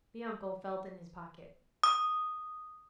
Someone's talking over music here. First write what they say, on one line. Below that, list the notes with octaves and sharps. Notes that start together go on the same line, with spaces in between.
The uncle felt in his pocket.
D#6